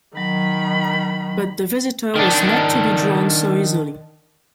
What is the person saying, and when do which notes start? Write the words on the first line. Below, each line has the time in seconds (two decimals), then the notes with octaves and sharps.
But the visitor was not to be drawn so easily.
0.17 D#3 F#3 B5
2.16 D#3 D4